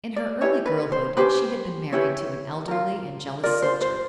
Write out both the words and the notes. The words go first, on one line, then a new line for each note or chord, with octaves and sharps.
In her early girlhood she had been married to an elderly and jealous soldier.
D5
C#4 E4 G4 B4 C#5
B4
C5
C#4 E4 G4 B4 C5
C#4 E4 G4 B4 C#5
F4 A#4
F4 A#4 D5
C5
C5